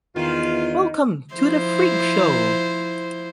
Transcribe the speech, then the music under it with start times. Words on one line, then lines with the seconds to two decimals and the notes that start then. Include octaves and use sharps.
Welcome - to the Freak Show!
0.16 E2 D#3 F4
1.34 F3 E4 C5